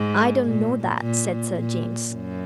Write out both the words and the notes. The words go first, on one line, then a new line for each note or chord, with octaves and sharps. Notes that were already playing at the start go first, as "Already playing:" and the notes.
"I don't know that," said Sir James.
Already playing: G#2
A#2
A#2
A#2
F#2